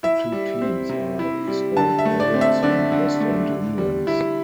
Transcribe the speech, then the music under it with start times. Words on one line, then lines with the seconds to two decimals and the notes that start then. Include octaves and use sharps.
The two teams are Esport Oilers and Westend Indians.
0.03 E4 E5
0.32 G3
0.61 C4
0.89 C3
1.19 E4
1.48 G3
1.77 D3 A5
1.99 E5
2.05 A3
2.20 D5
2.34 C4
2.41 E5
2.63 D3 D5
2.92 D3
3.20 A3
3.49 D3
3.78 G3
4.07 E4